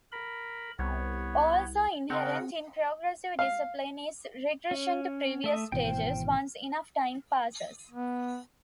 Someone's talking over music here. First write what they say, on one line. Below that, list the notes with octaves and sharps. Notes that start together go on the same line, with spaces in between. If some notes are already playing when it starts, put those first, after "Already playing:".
Also inherent in progressive discipline is regression to previous stages once enough time passes.
A#4 B5
C2 B3 C#5
C#3 C4 A#4 F#5
F5
C#4
A3 E5 D#6
G#1 B2 E3 C5 G5
B3